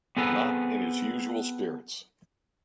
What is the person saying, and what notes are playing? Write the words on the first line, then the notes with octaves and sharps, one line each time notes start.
Not in his usual spirits?
B3 C4 G#4 A4 B4